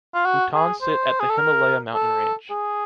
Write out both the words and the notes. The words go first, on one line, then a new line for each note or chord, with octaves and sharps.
Bhutan sit at the Himalaya Mountain range.
F4
F#4
G#4
C5
G#4
A4
A#4
A4
G#4